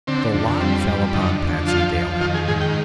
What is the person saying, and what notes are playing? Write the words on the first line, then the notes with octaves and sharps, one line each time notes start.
The lot fell upon Patsey Daly.
D3 C4
F2
G3 C4
F2
D3 D#4
F2
F3 F4
F2
D#3 F4
G#4
G#2 G#4
G5